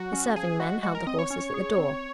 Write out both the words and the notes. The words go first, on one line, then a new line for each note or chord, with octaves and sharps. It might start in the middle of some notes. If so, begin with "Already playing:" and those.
The serving-men held the horses at the door.
Already playing: F#3 F#4
C#4
F3 G#4
G#3 F#4
G#3 F#4
A#4
C4 D#5
C#5
C#4
G#4
C4